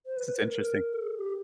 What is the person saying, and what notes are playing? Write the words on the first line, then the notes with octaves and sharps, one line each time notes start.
This is interesting.
C5
B4
B4
A#4
A4
G#4
G4